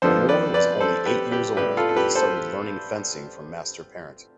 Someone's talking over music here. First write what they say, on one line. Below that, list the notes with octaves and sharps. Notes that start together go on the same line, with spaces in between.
Lamour was only eight years old when he started learning fencing from Master Parent.
F2 D3 F3 B3 A4 C5
B4 D5
B4 D5
A4 C5
G4 B4
G4 B4
A2 G3 B3 G4 B4
F4 A4
A4
G4 B4
A4 C5